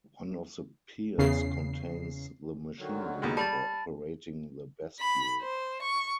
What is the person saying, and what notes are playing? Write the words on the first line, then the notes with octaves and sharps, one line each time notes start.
One of the piers contains the machinery for operating the bascule.
E2 C#3 C7
D3 D#3 F#3
D#2 B2 G#3
G3 A5 B5 A6
B5
C5
C#6